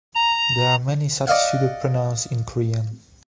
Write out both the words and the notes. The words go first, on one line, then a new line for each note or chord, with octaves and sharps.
There are many such pseudo-pronouns in Korean.
A#5
D5 D#5 F5 F#5